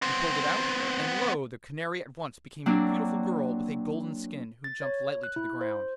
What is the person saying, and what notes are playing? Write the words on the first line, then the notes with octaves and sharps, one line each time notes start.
He pulled it out, and lo! the Canary at once became a beautiful girl with a golden skin who jumped lightly to the ground.
B3 C4
F#3 A#3 C4 D4
A6
C#5
F#6
E4
C5